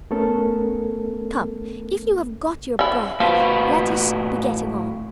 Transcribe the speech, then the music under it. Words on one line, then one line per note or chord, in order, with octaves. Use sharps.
Come, if you have got your breath, let us be getting on.
A3 B3 C#4 A4 A#4
C#4 E4
A2 F3 F#4 B4